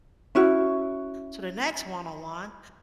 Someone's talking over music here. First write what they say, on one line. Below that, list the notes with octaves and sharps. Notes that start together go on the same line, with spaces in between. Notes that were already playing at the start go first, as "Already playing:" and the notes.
So the next one-on-one,
C#4 E4 F#4